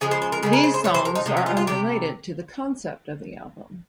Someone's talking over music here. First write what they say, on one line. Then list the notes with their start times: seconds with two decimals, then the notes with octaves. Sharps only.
These songs are unrelated to the concept of the album.
0.01 C#3 F3 G#3 G#4
0.11 C5
0.22 C5
0.32 A#4
0.43 C#3 F3 G#3 G#4
0.53 A#4
0.63 C5
0.74 C5
0.84 C3 F3 C#5
0.94 C5
1.05 A#4
1.15 D#4
1.26 C3 F3 G#3 D#4
1.37 C#4
1.46 F4
1.57 F4
1.67 C3 D#3 G3 G4